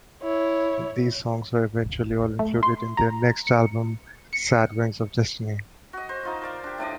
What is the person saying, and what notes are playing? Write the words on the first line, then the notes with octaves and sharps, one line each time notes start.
These songs were eventually all included on their next album, "Sad Wings of Destiny".
E4 C#5
A3
C6
A#5
C#7
C#7
F#4 D#5
C5
D#4 F4 D#5
A#4 D5 F5
D4 G4
A2 D4 D5 D#5